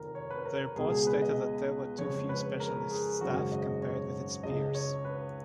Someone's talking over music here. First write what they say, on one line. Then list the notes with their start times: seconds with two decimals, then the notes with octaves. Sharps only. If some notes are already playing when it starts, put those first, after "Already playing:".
The report stated that there were too few specialist staff, compared with its peers.
Already playing: F1 F2 D#3 A#4
0.15 C#5
0.30 B4
0.45 A#4
0.76 C#2 B2 G#3 G#4
0.92 G#4
1.07 B4
1.22 D#5
1.98 F2 C#3 G#3 C#5
2.29 B4
2.60 A#4
2.90 G#4
3.21 G#1 F#2 C#3 G#3 F#4
3.52 D#5
3.82 C#5
4.43 C#2 C#3 G#3 D#5
4.75 C#5
5.05 B4